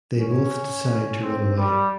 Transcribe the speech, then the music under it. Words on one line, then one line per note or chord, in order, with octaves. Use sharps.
They both decide to run away.
C#4
C4
G3